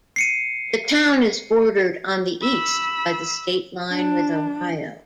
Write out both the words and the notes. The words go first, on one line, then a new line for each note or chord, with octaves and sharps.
The town is bordered on the east by the state line with Ohio.
C7 C#7 D#7
B5 E6
D4